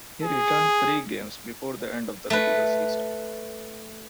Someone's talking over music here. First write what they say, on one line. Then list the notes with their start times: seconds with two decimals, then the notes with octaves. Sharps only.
He returned three games before the end of the regular season.
0.23 G#4
2.30 A3 B4